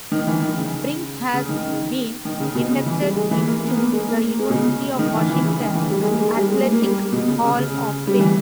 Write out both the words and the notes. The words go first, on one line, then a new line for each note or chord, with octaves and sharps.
Brink has been inducted into the University of Washington Athletic Hall of Fame.
D#3
E3
D#3
C#3
C#3
D#3
D#3
C#3
B2
C#3
E3
G3
G#3
E3
A#3
B3
A#3
G#3
A#3
G#3
B2
C#3
D#3
E3
E3
C#3
D#3
E3
G3
G#3
A#3
G#3
G3
G#3
A#3
A#3
G3
B2
C#3
C#3
C#3
C#3
G3
E3